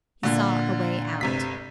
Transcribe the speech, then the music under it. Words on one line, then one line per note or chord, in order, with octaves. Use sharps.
He saw a way out.
A#2 D3
G1 C3 B6